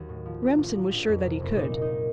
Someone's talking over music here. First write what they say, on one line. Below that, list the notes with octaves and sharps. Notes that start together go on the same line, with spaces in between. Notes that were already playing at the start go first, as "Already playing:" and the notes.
Remsen was sure that he could.
Already playing: D#2 F#3 F#4
A2
F3
A1
A2
F3
A#1
F2
C3
F#1
A#2 D#4
F#3
D#4